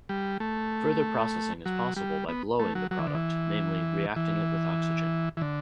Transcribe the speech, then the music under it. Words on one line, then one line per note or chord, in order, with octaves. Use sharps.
Further processing is possible by "blowing" the product: namely reacting it with oxygen.
G3
A3
F#3
G3
B3
A3
F#3
F#3
E3
D3
E3
E3
E3
D3